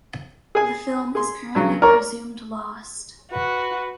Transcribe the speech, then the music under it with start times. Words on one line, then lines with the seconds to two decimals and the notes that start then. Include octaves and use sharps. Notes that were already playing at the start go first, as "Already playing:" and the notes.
The film is currently presumed lost.
0.55 G#4 G#5
1.15 G#4 C6
1.55 G2 C#3 F#3
1.82 A#4 C#5 D5
3.32 F#4 B4